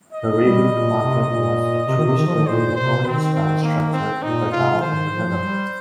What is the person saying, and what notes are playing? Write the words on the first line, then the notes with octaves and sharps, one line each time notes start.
The rebuilt market was a three-storey Victorian-style structure with a tower in the middle.
D#5
G3
A#2
C3
A#2
C3
D#3
C3
D#3
F3
D#3
A#2 C5
A#2
C3 C5
D#3 C4
C4
A#3
C4
A#2 D#4
C3 F4
F3
D#3 C5
F3
G3